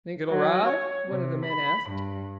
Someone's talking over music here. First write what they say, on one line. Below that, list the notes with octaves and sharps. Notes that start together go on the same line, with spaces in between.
"Think it'll ride?" one of the men asked.
F#3
C#5
C3
B5
G2